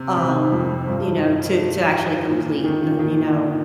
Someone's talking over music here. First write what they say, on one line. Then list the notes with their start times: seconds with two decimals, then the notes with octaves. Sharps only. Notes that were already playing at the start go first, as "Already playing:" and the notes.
um, you know, to to actually complete the you know
Already playing: C3
0.17 C3
0.52 F2
0.87 G2
2.29 A#2
2.64 D#3
2.99 D#3